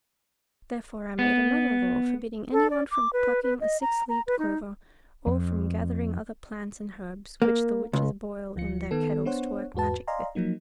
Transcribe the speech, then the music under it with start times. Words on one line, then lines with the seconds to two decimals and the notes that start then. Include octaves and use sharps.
Therefore I made another Law forbidding anyone from plucking a six-leaved clover or from gathering other plants and herbs which the Witches boil in their kettles to work magic with.
1.19 B3
2.52 A4
2.70 D5
2.91 D6
3.13 B4
3.43 B4
3.61 D#5
3.81 A#5
4.09 A#5
4.27 B4
4.39 D#4
5.27 F2
7.42 A#3
7.93 C#2
8.56 D2 F3 F4 C#7
8.91 D#3 B3 A4
9.25 B3 D4 C5 C#5 F#5
9.74 E2 G#2 F#4 B4 A5
10.07 D5 D#5 F5 G#5 A#5 C6
10.35 F3 F#3 A#3 D#4